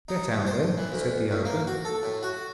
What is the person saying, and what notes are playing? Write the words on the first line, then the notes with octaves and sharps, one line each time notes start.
'Get out, then!' said the ogre.
D#4
G2
C5
E3
D2
A2
A#3
F#4
A4
A2
F#4